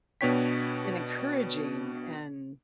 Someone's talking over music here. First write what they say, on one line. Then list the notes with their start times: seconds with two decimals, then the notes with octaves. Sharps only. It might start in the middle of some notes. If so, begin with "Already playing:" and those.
been encouraging and
0.21 B2 B3 D4 C#5 G5 B6